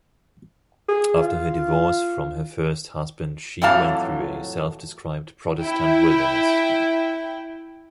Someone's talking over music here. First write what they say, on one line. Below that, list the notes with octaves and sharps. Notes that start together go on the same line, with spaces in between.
After her divorce from her first husband, she went through a self-described "Protestant wilderness".
G#4
F4
F2 A2 E3 F#3 F5 A5
E4 G5